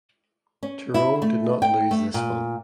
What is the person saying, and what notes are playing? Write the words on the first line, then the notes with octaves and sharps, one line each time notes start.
Tyrone did not lose this one.
C#4
E4
A3
G5
A3
A#2